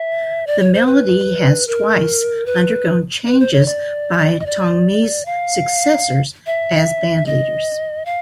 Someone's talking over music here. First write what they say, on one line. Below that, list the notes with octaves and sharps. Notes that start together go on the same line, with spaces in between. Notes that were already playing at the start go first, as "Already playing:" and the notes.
The melody has twice undergone changes by Tongmi's successors as band leaders.
Already playing: E5
D5
C#5
C5
B4
A#4
B4
B4
C5
C#5
D5
D#5
D5
F5
E5
D#5
F5